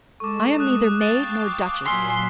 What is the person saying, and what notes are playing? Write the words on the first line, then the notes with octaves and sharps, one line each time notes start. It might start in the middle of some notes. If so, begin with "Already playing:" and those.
I am neither maid nor duchess.
G#3 A4 C#6 D6
D#6 F#6 E7
F5 G5 A5 A6
D6
A#2 F#3 G#5 C6 E6 F6 B6